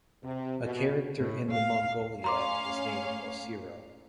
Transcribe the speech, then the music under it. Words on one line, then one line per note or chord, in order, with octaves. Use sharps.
A character in The Mongoliad is named Ocyrhoe.
C3
B2
A2
F5
A3 C#4 F5 A#5 C6 D6